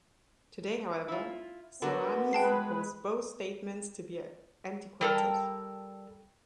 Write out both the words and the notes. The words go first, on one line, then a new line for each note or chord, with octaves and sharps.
Today however, Soames holds both statements to be antiquated.
E4 F4
D3 B3 F#4 A#4
G#3 B4 G5 A5 C7
G3 A4 A#4 G5 A5 F6